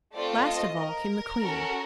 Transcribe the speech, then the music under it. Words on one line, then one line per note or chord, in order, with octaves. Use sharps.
Last of all came the Queen.
A3 C4 F4 A4 D5
D#5
A#4
C#4 F#4 A4